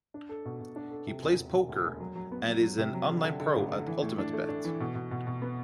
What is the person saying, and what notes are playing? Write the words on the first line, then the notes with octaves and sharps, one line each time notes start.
He plays poker and is an online pro at UltimateBet.
D4
A4
B2
B2
D4
A4
C3
E1
E1
E1
D2
E1
F#3
F#3
B3
F#3
F#3
C3
F#3
D3
D3
D3
A1
D3
E3
A2
D4
A3
D4
E3
B2
B2
B2
B2
B3